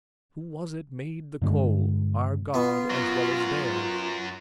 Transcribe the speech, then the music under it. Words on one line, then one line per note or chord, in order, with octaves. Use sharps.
"Who was it made the coal? Our God as well as theirs."
G2 D3 G#3
B3 F4
F#2 F#3